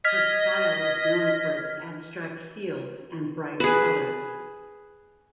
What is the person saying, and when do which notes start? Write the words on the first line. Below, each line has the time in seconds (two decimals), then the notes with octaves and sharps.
Her style is known for its abstract fields and bright colors.
0.05 D#5 F6 G#6 B6
3.60 G#4 B4